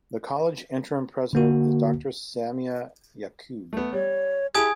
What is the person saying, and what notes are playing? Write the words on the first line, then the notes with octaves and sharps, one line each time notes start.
The college interim president is Doctor Samia Yaqub.
D3 A#3 F#4
A3 B3
G3 C#5
E4 G4 G#4 G#5 A5 D#6 G#6